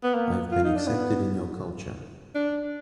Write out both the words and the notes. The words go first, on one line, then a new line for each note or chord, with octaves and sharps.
I’ve been accepted in your culture.
B3
A#3
F4
D#4
D4
B3
D4